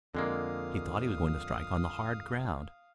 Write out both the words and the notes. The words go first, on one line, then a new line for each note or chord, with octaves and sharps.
He thought he was going to strike on the hard ground.
F2 D3 G#3 A#3 F5 D#6